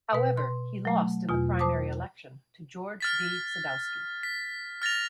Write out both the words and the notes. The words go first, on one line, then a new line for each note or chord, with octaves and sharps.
However, he lost in the primary election to George G. Sadowski.
B2 B4
C6
F#3 A3
E2 B2 F4
C5 A5 D6 D#6
F6 A6 B6
B6
F6 A6 A#6 F7